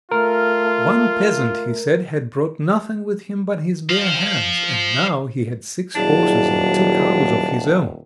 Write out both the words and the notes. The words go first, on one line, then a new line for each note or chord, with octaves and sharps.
One peasant, he said, had brought nothing with him but his bare hands, and now he had six horses and two cows of his own.
A3 F4 A#4
C5 F5
D#1 F#3 D4 E4 G#4 D5